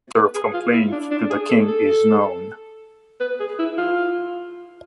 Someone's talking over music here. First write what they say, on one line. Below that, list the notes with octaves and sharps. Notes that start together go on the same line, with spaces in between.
A letter of complaint to the king is known.
B4
G#4
F4
E4
D4
D4
G#4
A4
A4
B4
G#4
E4
F4